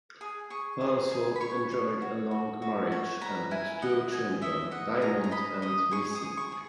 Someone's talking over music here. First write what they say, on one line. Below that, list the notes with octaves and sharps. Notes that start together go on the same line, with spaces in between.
Farnsworth enjoyed a long marriage and had two children, Diamond and Missy.
G#4
G#4 C#6
G#4
G#4
B5
C#5 C#6
C#5
F#4
F#4
F#4
C#5
B4 A#5
E4 G#5
D#5 F#5
D#5 G#5
D#5 E5
D#5 F#5
G#4 A#5
A#5
D#5 B5
D#5 D#6
G#4 C#6
D#6
G#4
C#6
G#4